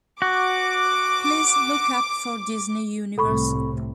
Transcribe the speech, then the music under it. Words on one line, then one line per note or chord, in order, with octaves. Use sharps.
Please look up for Disney Universe.
F#4 D6
C2 A2 C3 A4 B5 C#6